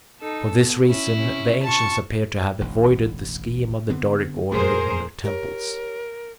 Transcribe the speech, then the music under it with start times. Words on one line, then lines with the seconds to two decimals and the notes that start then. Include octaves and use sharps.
For this reason, the ancients appear to have avoided the scheme of the Doric order in their temples.
0.20 D#4 A4
0.53 B3
0.89 C#4 E4
1.18 C3 C#4
1.63 F4 A5 C#6
2.61 E1 A1 D2
3.90 D3 B3 C4
4.52 F2 A#2 A3 G#4 A#4 C5
5.24 G4 A#4 C#5